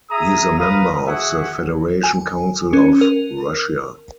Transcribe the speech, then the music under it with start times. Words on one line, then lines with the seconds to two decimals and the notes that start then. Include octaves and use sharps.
He is a member of the Federation Council of Russia.
0.10 G#4 E5 A#5 D#6
0.59 A#4 B4 F5 A#5 D#6
1.06 F#4 G#4 E5 F#5
2.04 G#5
2.73 C#4
3.01 A#4